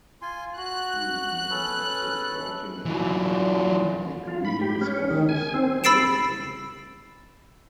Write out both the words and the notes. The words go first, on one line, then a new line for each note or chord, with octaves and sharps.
He remains active writing and performing public readings of his poetry.
F4 G#5 C6
F#4 F#6
C#4 A4 B4
E3 F#3
F4
B5
G4
C#4
D#3
G#5
C4
B5 E6 A6 C7 D7 E7